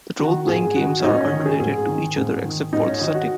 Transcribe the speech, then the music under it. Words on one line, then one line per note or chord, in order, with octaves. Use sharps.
The role-playing games are unrelated to each other except for the setting.
D#3 F#4
G#2 G#4
D#3 F#4
C#4
G#2 D#4
C#4
D#3
G#4
G#2 G#4
D#3
G#2
D#3
G#2 D#4
C#4
D#3 D#4
F#4